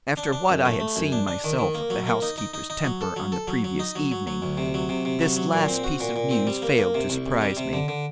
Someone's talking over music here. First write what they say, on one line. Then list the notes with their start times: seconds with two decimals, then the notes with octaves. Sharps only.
After what I had seen myself of the housekeeper's temper on the previous evening, this last piece of news failed to surprise me.
0.17 D4
0.33 D4
0.49 F#2
0.65 A3
0.80 A3
0.96 F#2
1.12 D4
1.27 D4
1.44 D#3
1.58 D#3
1.75 A#3
1.90 F#3
2.07 A#3
2.22 D#4
2.38 D#4
2.54 D#4
2.70 D#4
2.85 F#3
3.01 A4
3.16 F#3
3.32 A4
3.48 F#3
3.64 F#3
3.80 D#4
3.96 F#3
4.11 F#3
4.27 F#3
4.42 D2
4.57 C3
4.74 F#3
4.89 C3
5.05 C3
5.21 F#3
5.36 F#3
5.53 A#2
5.68 C4
5.84 F#4
6.00 A#2
6.16 A#2
6.31 C4
6.47 G3
6.62 A#3
6.78 A#3
6.94 C3
7.10 C2
7.26 C2
7.41 G3
7.57 C3
7.73 D3
7.88 D3